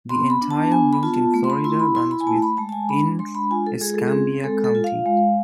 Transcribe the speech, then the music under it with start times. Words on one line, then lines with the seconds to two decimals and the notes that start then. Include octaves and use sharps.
The entire route in Florida runs within Escambia County.
0.09 B3 C6
0.30 B5
0.41 D4
0.51 A5
0.71 B3 G#5
0.93 B5
1.03 F4 A5
1.34 A3
1.44 C6
1.50 B5
1.64 E4 C6
1.80 B5
1.95 E4 C6
2.11 B5
2.21 G#5
2.27 A3 A5
2.42 B5
2.57 G#3 A5
2.69 A5
2.72 G#5
2.89 D4 B5
3.19 G#3 C6
3.35 B5
3.51 F4 G#5
3.66 A4
3.81 G#3 G#4
3.94 A4
4.08 C4 G#4
4.44 G#3 A4
4.64 A4
4.75 F4
4.84 F5
5.06 G#3